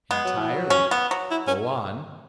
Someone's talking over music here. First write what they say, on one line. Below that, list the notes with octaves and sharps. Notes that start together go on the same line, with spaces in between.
"Entirely; go on."
G#3 B3
F#3
E3
F#3
C#4
B3
F#3
E4
C#4